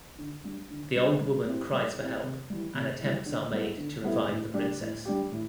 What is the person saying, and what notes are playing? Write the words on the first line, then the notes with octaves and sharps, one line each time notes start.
The old woman cries for help and attempts are made to revive the princess.
D3
G3 D4
D3
G3 D4
G3
C4 E4 G4
G3
C4 E4 G4
C3
E3 G3
C3
E3 G3
D3
G3 B3 E4 A4
D3
G3 B3 E4 A4
A2
G3 D4 G4
A2
G3 D4 G4
A2